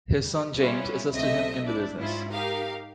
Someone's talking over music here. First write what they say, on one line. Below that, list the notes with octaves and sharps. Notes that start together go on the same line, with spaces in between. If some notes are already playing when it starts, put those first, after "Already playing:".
His son James assisted him in the business.
G3
G3 B3 C#4 E4 F4
B1 C3 A3 C4 D#5 E5
D4 E4 D5
G#2 C#4 E4 F4
D#4 G4 A#4 F5